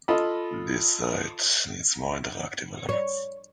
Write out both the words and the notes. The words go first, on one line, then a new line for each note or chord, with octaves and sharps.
This site needs more interactive elements.
F4 A4 D#5 B5
C#5